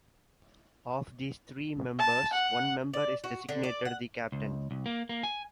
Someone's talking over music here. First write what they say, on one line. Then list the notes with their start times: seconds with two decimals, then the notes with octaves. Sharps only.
Of these three members, one member is designated the captain.
1.99 A5
2.33 F#5
2.93 D5
3.24 F#4
3.49 D3
3.64 D5
3.85 F#5
4.32 C#2
4.71 C2
4.86 A#3
5.09 A#3
5.23 G#5